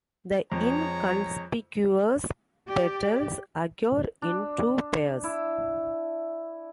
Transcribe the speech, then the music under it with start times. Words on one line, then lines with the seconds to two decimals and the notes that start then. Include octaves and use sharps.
The inconspicuous petals occur in two pairs.
0.52 F2 G#3 C#5 A#5
2.68 G4 D5
4.22 D4
5.24 E4